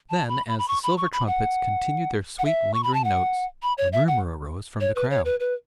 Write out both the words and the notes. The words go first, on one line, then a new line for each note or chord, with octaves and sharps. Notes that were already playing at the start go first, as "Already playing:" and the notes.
Then, as the silver trumpets continued their sweet lingering notes, a murmur arose from the crowd.
A5
B5
B5
B5
C#6
B5
C#6
B5
F#5
F#5
E5
C#6
B5
A5
F#5
B5
C#5
E5
F#5
C#5
B4
C#5
B4
B4